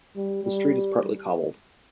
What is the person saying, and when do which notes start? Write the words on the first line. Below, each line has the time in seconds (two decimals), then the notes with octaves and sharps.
The street is partly cobbled.
0.16 G3
0.44 G3